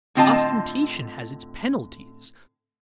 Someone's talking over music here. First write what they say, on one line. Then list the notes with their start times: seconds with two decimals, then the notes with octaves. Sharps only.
Ostentation has its penalties.
0.15 A2 D3 C4 F4 D#5 A5